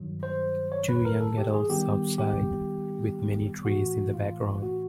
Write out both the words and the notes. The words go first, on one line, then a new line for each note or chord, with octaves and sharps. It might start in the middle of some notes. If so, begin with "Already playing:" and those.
Two young adults outside, with many trees in the background.
Already playing: G2 D#3 F#3
C5
C#5
B4
A#4
A4
G4
G#4
G#2 D#3 G3 B3 G4
G4
A2 E3 A3 F#4
F4
F#4